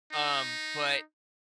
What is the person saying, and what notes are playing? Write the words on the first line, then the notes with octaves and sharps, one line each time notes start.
um, but,
D#4